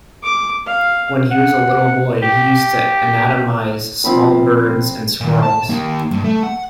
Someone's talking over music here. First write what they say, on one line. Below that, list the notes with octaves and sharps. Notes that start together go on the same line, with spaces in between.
When he was a little boy he used to anatomize small birds and squirrels.
D6
F5
F#5
G4
F3 C4 B5 D#6
A#2 D#3
A5
A#3 D#4
G2
A3
F#5